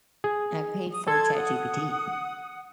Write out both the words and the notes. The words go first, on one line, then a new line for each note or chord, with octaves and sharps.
I paid for ChatGPT
G#4
D#6
A4 A5 C6 G#6
F#5 D#6